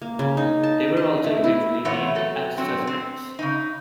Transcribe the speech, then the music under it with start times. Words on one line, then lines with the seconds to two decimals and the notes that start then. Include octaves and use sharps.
They were also eventually named as suspects.
0.02 A#3
0.19 C#3
0.37 D#4
0.63 A5
0.97 D#5
1.24 A3
1.44 E4
1.85 E3 A3 B3 F4 C#5
2.15 F#3 A4
2.57 F#3 C4 F#4
2.87 C4
3.39 C#3 D#4